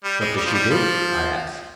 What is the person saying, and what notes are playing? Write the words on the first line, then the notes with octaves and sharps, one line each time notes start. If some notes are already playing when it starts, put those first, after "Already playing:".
"What does she do?" I asked.
G3
G#3
G3
F3
G3
F3